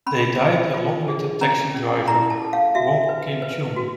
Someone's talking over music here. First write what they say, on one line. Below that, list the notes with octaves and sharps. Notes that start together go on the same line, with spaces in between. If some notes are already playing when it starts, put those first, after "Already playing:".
They died along with the taxi driver, Wong Kim-chung.
C#4 B5
C5
F4
G#4
C#4 A#5
C#4
E4 A#5
A5
A4
F5
F#4 E5
B4
B4
F#4